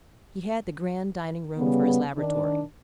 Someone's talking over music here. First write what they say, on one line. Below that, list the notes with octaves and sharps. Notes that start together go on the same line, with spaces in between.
He had the grand dining-room for his laboratory.
C#3 G3 B3
D#3 D4